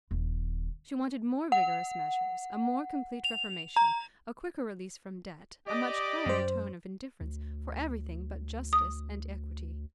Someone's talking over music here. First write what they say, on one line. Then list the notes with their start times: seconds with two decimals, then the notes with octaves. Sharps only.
She wanted more vigorous measures, a more complete reformation, a quicker release from debt, a much higher tone of indifference for everything but justice and equity.
0.11 D#1
1.52 F#5
3.25 F7
3.76 A#5
5.68 G4 D5 D#5 D6
6.26 F#2 C5
7.21 D2
8.73 D#6